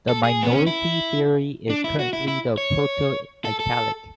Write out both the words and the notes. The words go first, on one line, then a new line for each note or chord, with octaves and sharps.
The minority theory is currently the Proto-Italic.
A4
G#4
B3
C#4
E4
D4
E4
F#4
E4
E4
C#5
A4
A4